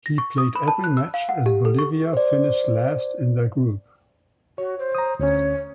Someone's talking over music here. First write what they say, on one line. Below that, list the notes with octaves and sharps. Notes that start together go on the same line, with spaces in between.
He played every match as Bolivia finished last in their group.
A#6
C#6
D#6
B5
A5
F#6
E6
F5
F#5
G4
A4
C#6
C5 D5
F#4 C#5
C5
A#5 D#6
D2 C#4 C#5